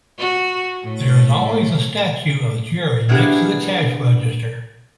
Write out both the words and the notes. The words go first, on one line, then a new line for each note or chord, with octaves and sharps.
There is always a statue of Jerry next to the cash register.
F#4
A2
A#3 B3 D4 E4 G4 G#4